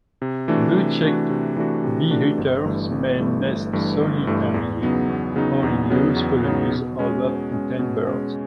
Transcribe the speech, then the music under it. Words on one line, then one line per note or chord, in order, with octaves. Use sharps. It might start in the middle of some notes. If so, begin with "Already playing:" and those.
Blue-cheeked bee-eaters may nest solitarily or in loose colonies of up to ten birds.
C3
E3 A3 D4 F#4
C3
E3 A3 D4 F#4
C3
E3 A3 D4 F#4
C3
E3 A3 D4 F#4
G1
G2 E3 A3
G1
G2 E3 A3
G1
G2 E3 A3
G1
G2 E3 A3
E2
C#3 F#3 B3 D#4
E2
C#3 F#3 B3 D#4
E2
C#3 F#3 B3 D#4
E2
C#3 F#3 B3 D#4
B2
G#3 C#4
B2
G#3 C#4
B2
G#3 C#4